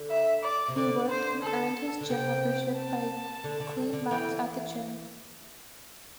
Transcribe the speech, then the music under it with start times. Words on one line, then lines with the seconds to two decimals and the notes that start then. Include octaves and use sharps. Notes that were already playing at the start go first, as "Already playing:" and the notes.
He worked and earned his gym membership by clean mats at the gym.
Already playing: D3
0.10 E5
0.43 D5
0.68 C3
0.76 D3 D5
1.10 C5
1.43 A4
2.01 D3
2.09 C3 G5
2.77 A5
3.44 D3
3.60 D3
3.77 G3
3.93 D3
4.10 E3 G5